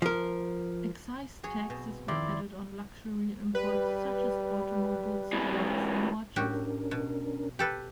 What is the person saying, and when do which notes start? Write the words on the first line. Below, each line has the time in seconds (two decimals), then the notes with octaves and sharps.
Excise taxes were added on luxury imports such as automobiles, clocks and watches.
0.02 F3 A#4
1.43 F#3 G#4 C#5
1.70 B2 C4
2.08 F2 D#3 E4 D5 C6 D6 E6
3.55 G3 B4
5.33 G#2 E3
6.36 A2 C#4 D4 F#4 G4 A#4
6.91 B2
7.59 G4 A4 B4